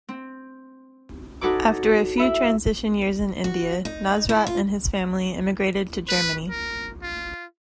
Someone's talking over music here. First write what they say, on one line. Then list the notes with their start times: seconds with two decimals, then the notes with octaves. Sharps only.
After a few transition years in India, Nasrat and his family immigrated to Germany.
0.09 C4
1.41 D#4 F#4 A4 B4 C#5 D6
2.17 E4 E5 B5
3.44 F#4
3.85 D#4
4.29 E4
4.47 F4
6.09 B4
6.50 A#4
7.02 F4